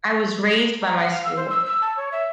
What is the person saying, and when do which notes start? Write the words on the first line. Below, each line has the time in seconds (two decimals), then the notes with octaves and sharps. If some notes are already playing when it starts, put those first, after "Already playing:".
I was raised by my school.
0.82 A#5
0.98 F#5
1.11 F5
1.25 E6
1.36 C5
1.50 E6
1.66 E6
1.82 A5
1.97 C#5
2.12 E5